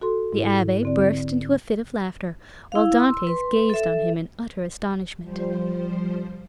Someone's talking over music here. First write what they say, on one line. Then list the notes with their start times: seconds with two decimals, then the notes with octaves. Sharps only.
The abbe burst into a fit of laughter, while Dantes gazed on him in utter astonishment.
0.01 F#4 A4 C6
0.33 G#2 E4
0.83 D3 C4 D5
2.72 E4 F5
2.98 C6 E6
3.27 B4 C6
3.70 A4 E5
5.21 F3 G3 C5